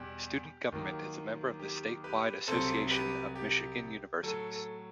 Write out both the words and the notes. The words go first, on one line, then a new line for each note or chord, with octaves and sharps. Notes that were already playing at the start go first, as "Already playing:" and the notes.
Student Government is a member of the statewide Association of Michigan Universities.
Already playing: E2 B2 G3 G4
D#2 D#3 F#3
G4
G4 B4
C2 C3 F#3 A4 C5
G4 B4
G4
A2 F#3 A4
A4